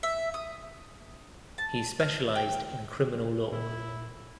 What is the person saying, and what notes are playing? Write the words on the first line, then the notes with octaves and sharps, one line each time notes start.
He specialized in criminal law.
E5
D#6
A5
F6
G5
A#2 E4